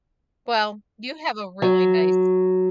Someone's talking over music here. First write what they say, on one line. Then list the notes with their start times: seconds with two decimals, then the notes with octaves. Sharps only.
Well, you have a really nice
1.62 F#3